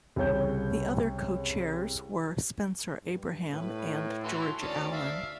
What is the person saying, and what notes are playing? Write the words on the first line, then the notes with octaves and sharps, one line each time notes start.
The other co-chairs were Spencer Abraham and George Allen.
C2 C#3 C#5 G6
G2
A2 B4
E3 F#4 A4 C6
D2 D#3 C#4 D5 A5 A6
E5 F5